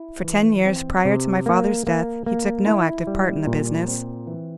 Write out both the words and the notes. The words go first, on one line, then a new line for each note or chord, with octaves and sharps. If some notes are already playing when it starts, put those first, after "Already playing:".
For ten years prior to my father's death he took no active part in the business.
Already playing: E4
E3
C4
C3
A#3
A#3
A#3
E4
G3
A#2
C4
E3